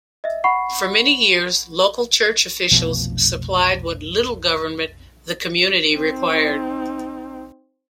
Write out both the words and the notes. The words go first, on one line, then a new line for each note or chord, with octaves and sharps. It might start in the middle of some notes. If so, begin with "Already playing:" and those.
For many years local church officials supplied what little government the community required.
D#5 E5
F#5 B5 C#6 C7
F1 B1 B2 F3
C4 D#4